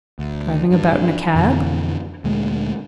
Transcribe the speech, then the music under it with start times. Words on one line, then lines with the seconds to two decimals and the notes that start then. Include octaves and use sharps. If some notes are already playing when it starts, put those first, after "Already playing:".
Driving about in a cab?
0.19 D2
0.71 G2
1.35 F2 B2 D3 E3
2.24 D2 A#2 G#3